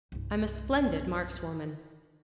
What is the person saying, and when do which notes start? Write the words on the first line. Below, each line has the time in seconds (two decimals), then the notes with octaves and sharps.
"I'm a splendid markswoman."
0.12 C2 G2